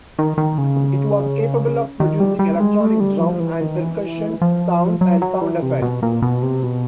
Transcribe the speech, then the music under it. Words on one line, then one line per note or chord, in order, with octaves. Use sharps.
It was capable of producing electronic drum and percussion sounds and sound effects.
D#3
D#3
C#3
D#3
G3
G3
G#3
A3
G3
F3
E3
D#3
E3
F3
F#3
F#3
E3
C3
B2
A#2
B2
C3
B2